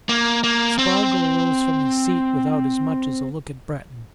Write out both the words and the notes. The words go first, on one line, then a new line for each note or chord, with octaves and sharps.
Spargo rose from his seat without as much as a look at Breton.
A#3
A#3
C4